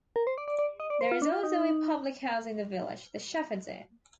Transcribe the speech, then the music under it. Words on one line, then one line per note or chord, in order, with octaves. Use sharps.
There is also a public house in the village, the Shepherds Inn.
A#4
C5
D5
D5
D5
D#5
D5
C5
F4
D4
F4
D#4